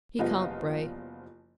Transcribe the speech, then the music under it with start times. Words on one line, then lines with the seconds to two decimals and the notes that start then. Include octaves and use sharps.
He can't bray.
0.19 F#1 F3 G3 B3 F4 D#5